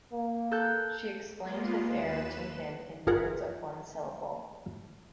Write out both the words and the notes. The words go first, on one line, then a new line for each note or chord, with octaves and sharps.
She explained his error to him in words of one syllable.
A#3
A4 F#6 G6
G#3 A#3 B3 F4
D#2 B4 E7
G1 F4 G#4 A#4 F#5 G#6